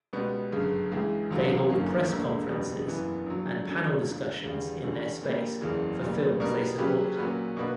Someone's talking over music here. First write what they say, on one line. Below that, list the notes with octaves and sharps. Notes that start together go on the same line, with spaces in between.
They hold press conferences and panel discussions in their space for films they support.
C#2 B2 G3 B3
G1 F#2 C#3
C#2 C#3 E3
E1 E2 D3 F#3 B3
G1 F#2 E3 A#3 C#4
E1 D2 D3 A#3
F#1 E2 B2 G3
F#1 F#2 E3 B3 E4
A#1 A#2 F#3
F#1 F#2 D3 F#3 C#4
E1 D2 D3
E1 E2 C#3 G3
E2 D3 G3 C#4
A#1 A#2 G3 A#3
F#1 E2 C#3 E3
B1 A#2 G3
B2 G3 A#3 D4 A#4
C#3 F#3 C#4 G4 B4
A#2 F#3 C#4 F#4 B4
B2 A#3 D4 F#4 B4